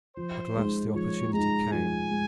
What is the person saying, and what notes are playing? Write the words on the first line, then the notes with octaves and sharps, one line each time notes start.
At last the opportunity came.
F3 C5
G#3 D#4
F3 C#5
G#3 D#4 A#5
F3 G#5
G#3